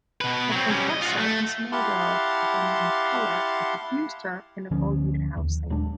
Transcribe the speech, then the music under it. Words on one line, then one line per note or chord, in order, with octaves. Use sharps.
The compressor is made up of an impeller, a diffuser and a volute housing.
B2 B4
F#3 C4
G3 C#4
D#5
F4 F#4
A3
E4 G4 F5 F#5 A5 C6
D2 D3 F3 C#4
D#2
D#1 F#3 G#3 D4